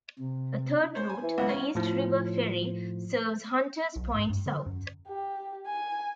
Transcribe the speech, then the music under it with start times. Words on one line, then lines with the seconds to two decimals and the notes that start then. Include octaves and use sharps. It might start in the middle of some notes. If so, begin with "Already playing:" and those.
A third route, the East River Ferry, serves Hunter's Point South.
0.19 C3
0.95 C5 C#5
1.09 G#5
1.23 E3
1.38 C#2 B3 F#5
1.49 C#4
1.75 A2 F3
3.96 B1
4.15 G#2
4.30 G2
4.46 D3
4.66 F#2
5.08 G4
5.66 G#5